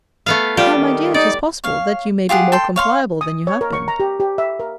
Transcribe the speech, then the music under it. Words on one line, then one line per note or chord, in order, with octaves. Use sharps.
Why, my dear, it is possible, that you may be more compliable than you have been.
A3 B3 F5
G3 F4 G4
D#3
D#4 D5
C#5 F5
F4 G4 G#4 F#5
A4 G5 C6
C#5 F5 C6
D#6
C#5
A#4
C#6
A#5
G4
G4
E5
A#4